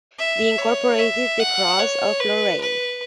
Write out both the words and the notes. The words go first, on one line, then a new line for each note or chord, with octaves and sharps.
The incorporated the Cross of Lorraine.
E5
C#5
E5
F#5
C#5
B4
B4